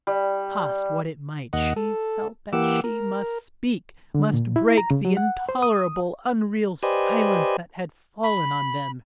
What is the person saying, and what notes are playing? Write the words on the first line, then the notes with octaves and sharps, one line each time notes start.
Cost what it might she felt that she must speak, must break the intolerable, unreal silence that had fallen on them.
G3
D#2 D#5 F#5
A4
E3 A#3 G4 F#5 D6 E6
A#4
D3
A#2
E4
A#5
C#3
F#3
F#5
C5
D#6
G4 B4 C5 D5 D#5 G#5
B5